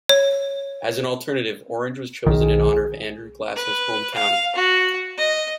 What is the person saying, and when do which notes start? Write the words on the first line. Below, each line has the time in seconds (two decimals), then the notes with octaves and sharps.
As an alternative, Orange was chosen in honor of Andrew Glassell's home county.
0.09 C#5
2.27 B1 D#3 G#4
3.56 B4
4.15 F5
4.56 F#4
5.18 D#5